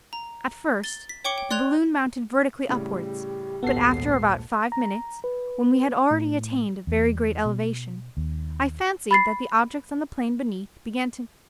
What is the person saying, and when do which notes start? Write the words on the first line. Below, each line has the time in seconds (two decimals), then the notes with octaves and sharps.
At first, the balloon mounted vertically upwards, but after about five minutes, when we had already attained a very great elevation, I fancied that the objects on the plain beneath began to move from under me.
0.13 A#5
0.84 A6 G7
1.09 B6
1.25 C#5 G5 C#6 D6 C#7 G7
1.38 G5
1.51 D5 C6 F#6 G#6 F7
2.69 A2 C#3 G3 G4
3.63 A#1 D#2 G#2 B3 F#4 A4 C7
4.72 A#5
5.24 B4
6.11 A2
6.87 E2
7.45 B2
8.17 D#2
9.11 B5 A6 C7